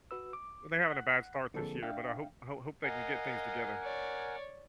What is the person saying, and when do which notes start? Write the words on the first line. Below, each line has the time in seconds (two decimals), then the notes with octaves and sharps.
They're having a bad start this year, but I hope ho hope they can get things together.
0.11 F#4 B4 E6
0.33 D6
0.86 F#5 F#6
1.54 D3 F3 A#3 C4 G#4 A4
1.83 D4 E5 F5 G5
2.84 A#4 D#5 F5 F#5 G#5
3.82 C#5 D5